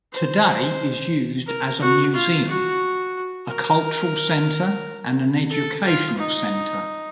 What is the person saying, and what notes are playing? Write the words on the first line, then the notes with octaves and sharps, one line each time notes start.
Today, it is used as a museum, a cultural center, and an educational center.
C5
A#4
F#4
F4
F#4
A#4
A4
F4
D#4